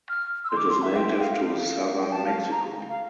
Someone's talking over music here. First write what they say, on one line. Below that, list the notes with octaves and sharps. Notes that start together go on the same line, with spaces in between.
It is native to southern Mexico.
F6
E6
C6
D6
C6
E5
G5
G5
F5
F5
G5
A5
F5
A#5
F5